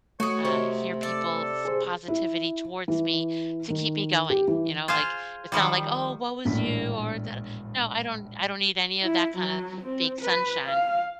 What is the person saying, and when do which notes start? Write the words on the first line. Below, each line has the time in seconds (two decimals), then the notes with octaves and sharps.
uh, hear people's positivity towards me to keep me going, you know, like, it's not like, "Oh, woe is you," or, dada No, I don't I don't need any of that kinda big sunshine.
0.20 A3 F#4 C#5 D#5
0.45 C3 C4 A#4
1.03 A4 D5
1.65 G#4 C5
2.08 E4
2.88 E3
3.70 D#3
4.30 G4
4.48 E3
4.88 F4 G#4 C5 F5
5.52 D#3 F3 G3
6.45 E1 A#1 A2 B6
9.02 E4
9.38 F#3
9.81 C4
10.22 B4
10.67 F5